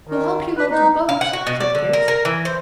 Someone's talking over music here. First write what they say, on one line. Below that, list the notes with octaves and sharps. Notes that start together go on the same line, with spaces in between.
"We'll help you load the boat," said Kit.
D#3
B4
D#4
F5
F#5
F#4
B2
D5
D3
A#4
A#4
E3
C5